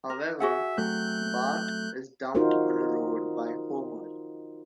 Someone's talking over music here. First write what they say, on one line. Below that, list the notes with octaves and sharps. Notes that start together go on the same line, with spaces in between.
However, Bart is dumped on a road by Homer.
A#4
F#4 G#4 E5 F#5
F#3 A3 C4 F#6 G6
D#4 F4 F#4 A#4 C5